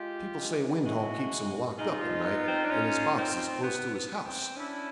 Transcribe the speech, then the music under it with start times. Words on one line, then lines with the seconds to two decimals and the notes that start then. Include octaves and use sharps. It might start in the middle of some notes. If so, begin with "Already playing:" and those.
People say Windhall keeps him locked up at night, and his box is close to his house.'
Already playing: G#3 F4 G4
0.39 G#3
0.85 G#3 E4 F#4
1.78 G#3 D#4 F4
2.02 F3
2.25 B3
2.48 C4
2.64 D4
2.71 C#4
3.18 C4
3.64 B3
3.95 B3
4.26 C4
4.57 C#4 D4 E4